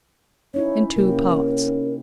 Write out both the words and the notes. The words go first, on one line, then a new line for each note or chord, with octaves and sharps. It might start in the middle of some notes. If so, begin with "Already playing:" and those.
In Two Parts.
C#4 D#4 E4 C#5
C3 A#3 C#4 G4 A#4
D#4